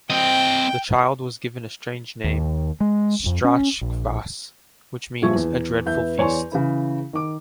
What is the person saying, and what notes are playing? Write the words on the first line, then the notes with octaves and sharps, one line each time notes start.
The child was given a strange name: Strachkvas, which means "a dreadful feast".
C4 D#5 G5
D#2
G#3
F2
C#4
A#1
A#1 G2 F3 E5 C#6 G#6
E2
E2 B3 E5 G6
E2 C#5 D5 G#5 C6 C#6
C#3 E3 E4
D#3 D6